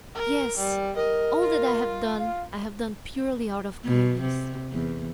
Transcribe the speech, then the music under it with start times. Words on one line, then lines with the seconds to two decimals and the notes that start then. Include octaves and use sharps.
"Yes, all that I have done I have done purely out of kindness."
0.15 A#4
0.58 G3
0.97 A#4 D#5
1.42 F4
2.20 F5
3.85 B2
4.21 C3
4.73 E2